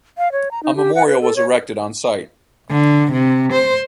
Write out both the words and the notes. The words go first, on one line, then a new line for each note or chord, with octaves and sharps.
A memorial was erected on site.
F5
C#5
A#5
D#4
G4
F#5
B4
A4
C#5
D3
C3
C5